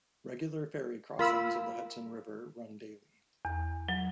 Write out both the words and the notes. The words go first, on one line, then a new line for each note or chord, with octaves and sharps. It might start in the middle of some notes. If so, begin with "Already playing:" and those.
Regular ferry crossings of the Hudson River run daily.
A#3 F4 B5 E6
E2
F#3